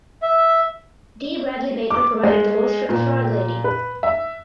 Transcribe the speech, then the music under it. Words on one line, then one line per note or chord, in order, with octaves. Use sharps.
Dee Bradley Baker provided the voice for the Frog Lady.
E5
D6
G#3
A#2
B4
E5